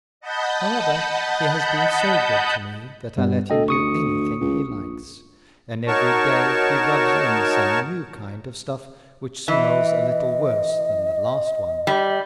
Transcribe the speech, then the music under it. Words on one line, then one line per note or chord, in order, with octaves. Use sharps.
However, he has been so good to me, that I let him do any thing he likes, and every day he rubs in some new kind of stuff, which smells a little worse than the last one.
D#5 F#5 A5 B5 G6
G2 G3 B3
D2 A4 D#5 G5
C#6 D#6 C#7
C#2
A#1
D#4 F#4 A#4 C#5 A5 C#6
E3 D#5
G3